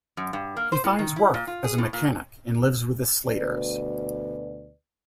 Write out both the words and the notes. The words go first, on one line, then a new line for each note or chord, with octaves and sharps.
He finds work as a mechanic and lives with the Slaters.
F#2
G2
A#3
C5
A2
D#3
E4
A#2
F4
G#4
A2
A#2
D2 B2 B4 D5